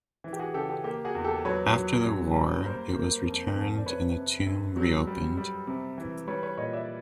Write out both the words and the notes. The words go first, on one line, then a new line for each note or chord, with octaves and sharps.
After the war, it was returned and the tomb reopened.
E3
G4
F#4 G#4
C#3 G4 A4
G4
A#3 G4
F#4 G#4
E2
G4 A4
F#3 B4 C#5
F#3
F#2
G3
A#3 A#4 C5
A#3
F2
F2
D5
C3 B4 C#5
C3
F#2
F#3
G3
G3
C3
E3
G3 B4 C#5
B4 C#5
A#2 C#5 D#5
D5 E5